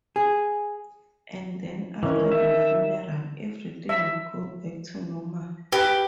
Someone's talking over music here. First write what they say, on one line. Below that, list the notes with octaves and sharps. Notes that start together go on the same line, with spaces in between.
And then after the funeral, everything would go back to normal.
G#4
D#3 E3 C#4
E5
E5
G4 B4